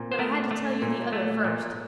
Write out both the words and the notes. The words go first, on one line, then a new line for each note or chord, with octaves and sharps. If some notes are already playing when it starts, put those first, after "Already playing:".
But I had to tell you the other first.
Already playing: A#2 C4
C5
A3 A#4
A3
A#2
A3
A#2